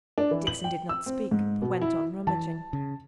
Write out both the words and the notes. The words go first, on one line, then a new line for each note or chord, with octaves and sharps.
Dixon did not speak, but went on rummaging.
D4
E3
F#7
G5
E6
C4
G#2
B2
E4
E3 A5
C#3